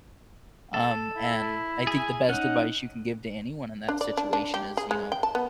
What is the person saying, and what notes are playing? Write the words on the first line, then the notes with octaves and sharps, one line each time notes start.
Um, and I think the best advice you can give to anyone in that situation is, you know
A4
E4
G#4 G#5
C#4 D#4 F#5
D4
D5
D4
D4
G4
G#4
G#3
G5
A5
B3